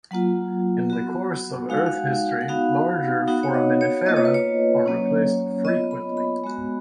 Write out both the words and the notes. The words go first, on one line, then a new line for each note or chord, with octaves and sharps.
In the course of Earth history, larger Foraminifera are replaced frequently.
F#3 A#3 F4 F#5
B3 F#4
G#3 D#4 F#4 F5
F#5
F5
F#5
B3 D#4 F#4 F5
B3 D#4 F#4 F#5
C#5
D#5
C#5
A#3 F4 D#5
C#5
B4
C#5
F#3 A#3 C#4
B3 F4 D#5
B5
B5
G#3 B3 F#4